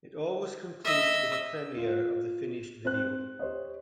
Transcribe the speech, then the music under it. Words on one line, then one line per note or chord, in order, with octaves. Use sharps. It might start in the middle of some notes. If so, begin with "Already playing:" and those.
It always concludes with a premiere of the finished video.
D#5 E5
F4
C4 C5 F#6
G4 C5 C#5 D#5